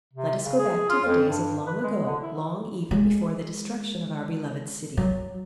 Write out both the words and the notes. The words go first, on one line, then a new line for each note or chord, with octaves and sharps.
Let us go back to the days of long ago, long, even, before the destruction of our beloved city.
C3
C#3
G#4
F4
F2
G2
B4
G#3
D3
E4
G#3
F#3